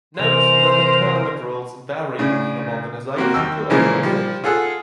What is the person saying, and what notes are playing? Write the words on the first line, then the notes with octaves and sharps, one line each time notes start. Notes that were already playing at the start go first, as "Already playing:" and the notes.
Note that the tournament rules vary from organization to organization.
C3 E3 A#4 C5 F7
A2 C#3 D4
C3 A#3 F#4
D#2 E6
A#2 C#3 E3 F3 G#3 A#3
F3 G3
F4 G#4 A4 F#5